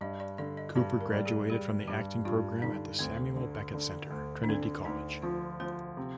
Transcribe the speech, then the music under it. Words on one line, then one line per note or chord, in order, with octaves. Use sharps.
Cooper graduated from the acting program at the Samuel Beckett Centre, Trinity College.
G2 D#5
D5
D3 D5
D#5
G2 D5
A#4
G3
G#4
G3 G#4
G2 G4
G2 F4
D3 D#4
D2 C4
D3
D3
D2
D4
D3 C4
D2 D#4
F3 F4
F3 C5
C3